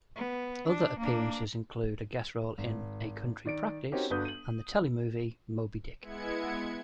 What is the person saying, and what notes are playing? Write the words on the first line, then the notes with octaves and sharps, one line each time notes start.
Other appearances include a guest role in "A Country Practice", and the telemovie "Moby-Dick".
B3
D4
A#3 D4
G#1
D#3 D5 D7
C4 C#4 D#4 F#4 G4 A#4
G1 D4 F#4 B4 D#6 G6
D#7 F#7
G#3 B3 E4 G#6 C#7